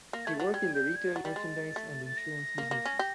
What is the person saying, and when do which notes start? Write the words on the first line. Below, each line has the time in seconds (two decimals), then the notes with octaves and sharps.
He worked in the retail merchandise and insurance businesses.
0.13 A#3 A#6
0.25 A3 G#6
0.33 A6
0.40 F#3
0.54 G3 G#6
0.74 G6
0.95 G#6
1.15 F#3 A6
1.25 G3
1.36 G#3
1.76 A3
2.05 A6
2.17 A#6
2.58 A#3
2.71 A#3
2.85 C#4
2.99 G4